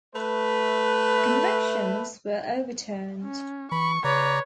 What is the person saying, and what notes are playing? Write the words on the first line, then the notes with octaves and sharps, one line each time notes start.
The convictions were overturned.
A3 B4
C#4
E3 B5 C#6
C#3 B4 C#5 D5 A#5